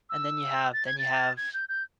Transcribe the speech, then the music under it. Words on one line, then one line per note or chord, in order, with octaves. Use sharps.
And then you have then you have
E6
A6
G#6
A6
G#6
G6
G6